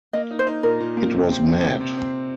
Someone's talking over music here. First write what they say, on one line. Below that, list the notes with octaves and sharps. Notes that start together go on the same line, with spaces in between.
It was mad.
A#3 D#5
D#4
C5
D#4
A#2 A#4
A#2
A#3
C3
C4
C4
C3
C3
C4